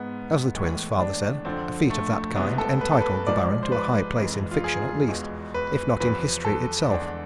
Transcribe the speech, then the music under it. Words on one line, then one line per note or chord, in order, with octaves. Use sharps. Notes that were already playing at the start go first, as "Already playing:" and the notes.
As the Twins' father said, a feat of that kind entitled the Baron to a high place in fiction at least, if not in history itself.
Already playing: G#2 G#3 B3
A2 E3 G#3
D4
F2 D3 F3 C4
A3
C2 C3 G#3 B3
A4
B4
A4
B4
G#2 F3 G#3 D5
C5
B4
F2 E3 G#3
F4
G#4
E2 B2 G#3
B4
E2 C3 F3 B4
A4
E2 D3 G#3 D4